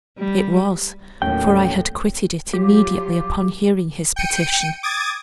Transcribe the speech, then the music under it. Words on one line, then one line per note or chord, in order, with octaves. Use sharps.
It was, for I had quitted it immediately upon hearing his petition.
G3
D#2 A2 F#3 A3 C#4 G5
F#3 F4 G4
G5 C#7 D#7
D6 D#6 G#6 A6